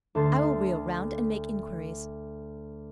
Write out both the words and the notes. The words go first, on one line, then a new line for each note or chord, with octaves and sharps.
I will reel round and make inquiries.'
D2 D3 A4 C6 A6